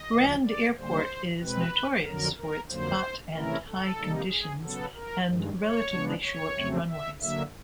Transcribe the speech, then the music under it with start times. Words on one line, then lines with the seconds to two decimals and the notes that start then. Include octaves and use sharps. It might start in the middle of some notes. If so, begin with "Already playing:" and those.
Rand Airport is notorious for its hot and high conditions and relatively short runways.
Already playing: D#5
0.12 D2 C#3 F3
0.45 D5
0.77 D3 G3 A#3 C5
1.41 B2 G#3 C4 B4
2.05 F2 D3 F#3 A#4
2.38 A#4
2.69 F2 D3 F#3 A#3 C5
3.34 C3 E3 A3 C#4 E4 A#4
3.66 A4
3.98 C3 D#3 G3 A#3 D#4
4.30 G#4
4.63 C#3 F#3 B3 A4
4.95 A#4
5.27 G2 D#3 G#3
5.60 C#5
5.91 C#3 F3 G#3 B3 D4
6.23 C#5
6.56 F2 C#3 F#3 A3 C4
6.88 E5
7.20 D3 F#3 A#3 E5